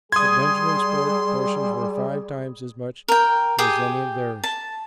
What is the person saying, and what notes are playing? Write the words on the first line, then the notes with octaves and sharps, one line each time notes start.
But Benjamin's portions were five times as much as any of theirs.
G3 G#4 C6 D#6 G#6
A#4 G5
G4 G#4 G5 D#6
A5